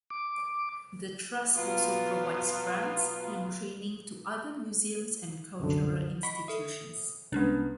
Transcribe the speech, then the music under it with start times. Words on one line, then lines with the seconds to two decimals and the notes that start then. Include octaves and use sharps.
The trust also provides grants and training to other museums and cultural institutions.
0.10 D6
1.55 B2 F#3 B3 F4
5.60 C2 F#2 D3
6.23 D#5 F#5 B5 C#6
6.48 A4 E5 D#6
7.32 C2 G#3 B3 C#4 D4